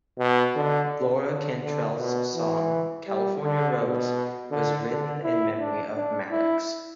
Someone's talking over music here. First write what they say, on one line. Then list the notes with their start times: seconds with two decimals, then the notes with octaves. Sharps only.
Laura Cantrell's song "California Rose" was written in memory of Maddox.
0.19 B2
0.56 D3
1.27 D3
1.63 D3
1.99 B2
2.35 E3
3.07 G3
3.44 D3
3.79 B2
4.51 D3
4.88 D3
5.23 E4
5.59 D4
5.96 D4
6.31 E4